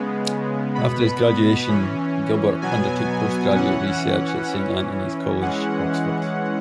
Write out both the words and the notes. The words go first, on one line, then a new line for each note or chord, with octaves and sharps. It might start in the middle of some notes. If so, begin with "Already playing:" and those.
After his graduation, Gilbert undertook postgraduate research at Saint Antony's College, Oxford.
Already playing: C#3 G#3 B3
B2 B3 B5
E3 C#4
B2 F#3 B3 G#5
E3 C#4 F#5
E3 C#4
E3 G#3 C#4 F#5